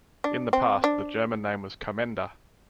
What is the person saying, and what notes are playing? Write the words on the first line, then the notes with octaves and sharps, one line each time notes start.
In the past the German name was "Commenda".
D4
C4
D4